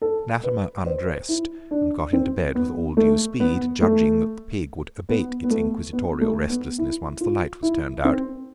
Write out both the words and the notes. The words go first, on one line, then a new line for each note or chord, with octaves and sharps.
Latimer undressed and got into bed with all due speed, judging that the pig would abate its inquisitorial restlessness once the light was turned out.
A4
B4
C5
E4
D4
C4
B3
A3
B3
A3
B3
B3
A3
B3
A3
B3
E4
F4
E4
C4